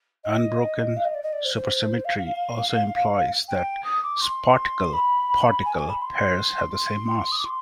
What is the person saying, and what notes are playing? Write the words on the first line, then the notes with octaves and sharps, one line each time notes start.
Unbroken supersymmetry also implies that sparticle-particle pairs have the same mass.
D#5
F5
D#5
D5
D#5
D5
C5
C5
F5
G5
D#6
D6
C6
B5
G#5
G#5
B5
C6
C6
D#6
D6
C6